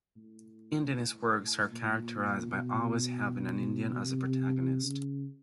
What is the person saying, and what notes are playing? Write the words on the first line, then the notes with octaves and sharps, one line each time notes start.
Indianist works are characterized by always having an Indian as the protagonist.
A2
A#2
B2
C3
C#3